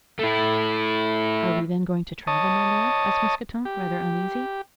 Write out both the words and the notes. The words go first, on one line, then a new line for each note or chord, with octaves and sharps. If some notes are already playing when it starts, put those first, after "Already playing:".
"Are we then going to travel, my lord?" asked Mousqueton, rather uneasy.
A3 E4
C#5 D#5 A5 D#6
G4